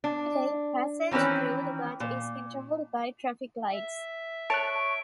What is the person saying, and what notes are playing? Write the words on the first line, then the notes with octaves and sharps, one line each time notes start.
Today passage through the gut is controlled by traffic lights.
D4
D#3 E3 C4 C#4 B4
A#2
E5
C#5 A5 F#6 D7